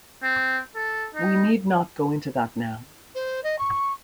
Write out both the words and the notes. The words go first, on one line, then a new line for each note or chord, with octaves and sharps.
We need not go into that now.
C4
A4
D#4
C5
D#5
C#6